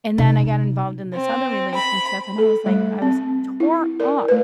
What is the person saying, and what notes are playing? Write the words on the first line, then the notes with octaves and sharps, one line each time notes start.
And then I got involved in this other relationship, and I was like, I was tore up
C3 D#4
C4
B5
A4
G3 A3
C4
E4
A#4 D5
A3 B4